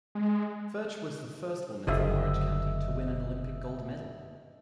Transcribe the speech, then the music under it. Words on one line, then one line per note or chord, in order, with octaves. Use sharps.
Furtsch was the first woman from Orange County to win an Olympic gold medal.
G#3
F#1 D3 D#5 E5